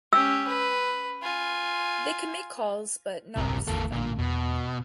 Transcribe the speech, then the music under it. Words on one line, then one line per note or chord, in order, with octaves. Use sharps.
They could make calls but not receive them.
C#4 G4 E6
B4
F4 G#5
D1 A#1 G2 C3 A#4
G#1 E2 D3 A#3 A4
A1 A#2 D3 A#3 D4
E2 B2